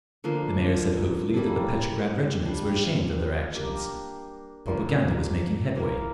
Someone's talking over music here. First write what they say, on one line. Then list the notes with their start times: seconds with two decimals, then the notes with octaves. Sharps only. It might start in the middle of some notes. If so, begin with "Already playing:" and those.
The Mayor said hopefully that the Petrograd regiments were ashamed of their actions; propaganda was making headway.
0.24 D3 F3 A#3
1.34 G3 A#3 E4 A4
2.45 G3 D4 F4
3.55 A#3 D4 G4 A#4
4.66 D3 F3 A#3
5.76 A#3 E4 A#4